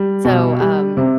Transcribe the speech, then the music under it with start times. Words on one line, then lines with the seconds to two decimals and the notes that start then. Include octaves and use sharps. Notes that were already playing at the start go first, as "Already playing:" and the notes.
So, um
Already playing: G3
0.25 B2
0.60 G3
0.97 C3